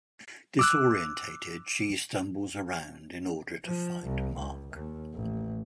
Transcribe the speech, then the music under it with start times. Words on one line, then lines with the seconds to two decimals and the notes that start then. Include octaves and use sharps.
Disoriented, she stumbles around in order to find Marc.
0.59 D6 E6 F#6
3.65 F3
4.05 C2
4.37 C#2
4.74 D#2
5.14 A1